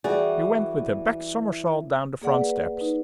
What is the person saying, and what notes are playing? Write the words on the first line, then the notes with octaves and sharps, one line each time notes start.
We went with a back somersault down the front steps.
E3 G3 F#4 G#4 D5 G#5
A#3 G#4 D5 F#5
B4
D#4 B4